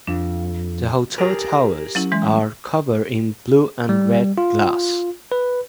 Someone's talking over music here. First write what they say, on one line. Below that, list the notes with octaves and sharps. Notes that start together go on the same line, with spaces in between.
The hotel towers are covered in blue and red glass.
F2 D4
G4 G#4 A#4
F#3 C#4 E4
E3 G#3 C6
G3
F4
B4